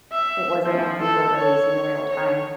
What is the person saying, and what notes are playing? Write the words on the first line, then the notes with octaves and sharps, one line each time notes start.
it wasn't like these were releasing in real time.
E5
F3
A4
C#5
C#5